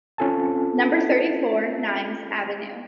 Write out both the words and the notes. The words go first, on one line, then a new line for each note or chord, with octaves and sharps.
Number thirty-four, Nîmes avenue.
C4 C#4 F4 A4 G#5 A5